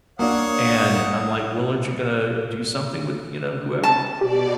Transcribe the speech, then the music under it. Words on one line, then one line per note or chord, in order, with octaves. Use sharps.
And I'm like, "Well, aren't you gonna do something with, you know, whoever?"
A#3 D4 C#5 F5 F#5 D#6
A5
B2 G4 D5